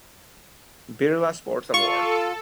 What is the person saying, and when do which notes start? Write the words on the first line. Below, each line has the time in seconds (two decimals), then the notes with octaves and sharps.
Birla sports award.
1.74 F4 A4 C#6